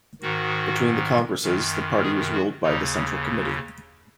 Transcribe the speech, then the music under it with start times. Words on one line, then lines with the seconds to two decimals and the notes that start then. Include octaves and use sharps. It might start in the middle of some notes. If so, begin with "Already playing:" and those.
Between the congresses the party was ruled by the Central Committee.
0.21 G#2 D#3 F#4
1.42 F#2 D#3
2.02 G#4
2.32 F#4
2.62 D#2 C#3 D#4